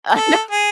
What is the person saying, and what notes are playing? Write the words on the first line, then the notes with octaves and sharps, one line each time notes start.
I know,
A4
G#4